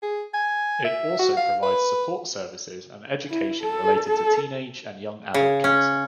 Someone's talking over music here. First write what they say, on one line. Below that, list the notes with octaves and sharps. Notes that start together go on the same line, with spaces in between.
It also provides support services and education related to teenage and young adult cancer.
G#4
G#5
E5
F#4
F5
B4
E4
A4
A4
C#3
C#4